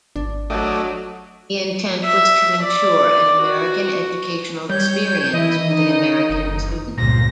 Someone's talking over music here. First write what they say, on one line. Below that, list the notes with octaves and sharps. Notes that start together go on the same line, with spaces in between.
The intent was to ensure an American educational experience for the American student.
G#1 D4
F#3 A3 D5 D#5
E5
D5
F#4
G3 C#5 G6
D#3 E3 E4 D#5
D#4
F#1
G1 C#2 A#2 C5 A#6